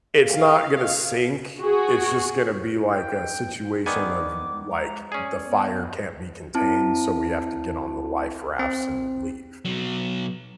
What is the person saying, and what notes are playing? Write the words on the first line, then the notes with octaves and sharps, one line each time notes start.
it's not gonna sink, it's just gonna be like a situation of, like, the fire can't be contained, so we have to get on the life rafts and leave,
F5
F#4 G#4
G5
D#3 B3 D5 G#5 D6
G#3
A#5
C#4 G#4 D5
B3
C4 E4 A5
C4
B2 F#3